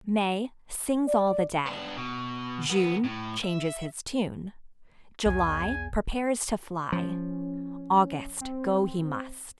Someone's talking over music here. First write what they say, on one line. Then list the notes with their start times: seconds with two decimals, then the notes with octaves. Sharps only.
May--sings all the day; June--changes his tune; July--prepares to fly; August--go he must.
1.08 D5
1.66 B3 D4
1.97 B2
2.70 D#3 B3
3.04 A2
3.44 E5
5.26 B1 E2 G#5
6.92 F3 C#4
8.41 C4